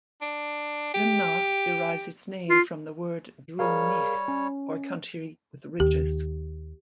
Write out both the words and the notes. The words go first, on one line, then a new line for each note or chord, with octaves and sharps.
Drimnagh derives its name from the word "druimneach", or country with ridges.
D4
G4
F4
G3 G#4 A#4 C#5 F5
C#4
D#2 G4